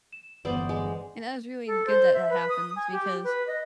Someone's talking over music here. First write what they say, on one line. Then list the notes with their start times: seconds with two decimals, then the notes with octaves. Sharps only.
And that was really good that, that happens because
0.13 E7
0.45 G1 E2 B3 B4 C5 D5 D#6 F#7
0.69 G#3
1.67 A4
1.87 C5
2.14 E5
2.30 B4
2.49 D#6
2.76 G#5
2.92 G4
3.24 B4
3.47 D#5